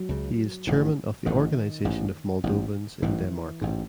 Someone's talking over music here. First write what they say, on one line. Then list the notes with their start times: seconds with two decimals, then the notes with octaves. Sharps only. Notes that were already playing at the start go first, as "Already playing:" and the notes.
He is chairman of the Organization of Moldovans in Denmark.
Already playing: F#3
0.09 C#2 C#3
0.67 A1 G#2
1.26 A1 G#2 D#3
1.85 A1 G#2
2.44 A1 G#2
3.02 A1 G#2 E3
3.61 A1 G#2